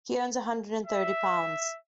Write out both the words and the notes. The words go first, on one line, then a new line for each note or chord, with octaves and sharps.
He earns a hundred and thirty pounds.
E5